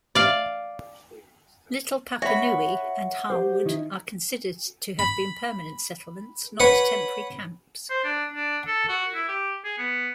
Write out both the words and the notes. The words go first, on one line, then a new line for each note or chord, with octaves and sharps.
Little Papanui and Harwood are considered to have been permanent settlements, not temporary camps.
D5 F5
F#4 C#5 E5 B5
G4 C5
D#3 D#4 E4
B5
B4 C#5 F#5
C5
D4
D4
A4
F#4
E4
G4
G#4
B3